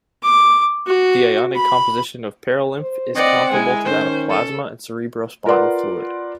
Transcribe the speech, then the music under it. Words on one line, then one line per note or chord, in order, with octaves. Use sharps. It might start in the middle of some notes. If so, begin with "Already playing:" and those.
The ionic composition of perilymph is comparable to that of plasma and cerebrospinal fluid.
D6
F#4
B5
C5
C4 D5 D#5 F#5
G#3 E4 G#5
D#3 C#4 C5
A4
F4 A#4 B4 D5 F#5 C6